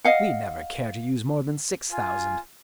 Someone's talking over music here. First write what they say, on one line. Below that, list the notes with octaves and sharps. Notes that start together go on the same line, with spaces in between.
We never care to use more than six thousand.
D#5 F5 F#5
F4 G#5